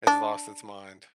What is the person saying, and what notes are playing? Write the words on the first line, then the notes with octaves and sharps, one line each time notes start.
has lost its mind.
D4